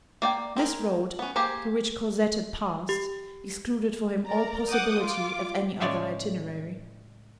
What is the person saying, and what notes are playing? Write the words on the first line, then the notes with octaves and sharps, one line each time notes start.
This road, through which Cosette had passed, excluded for him all possibility of any other itinerary.
A#3 D5 G5
C4 G#4 A#4
B3 C#4
A#3 G4 G#4 C5
G4
A#4 D5 A#5
F#5 D6 D#6 G6
F4 D6
A2 C#3 G#3 C#5 D5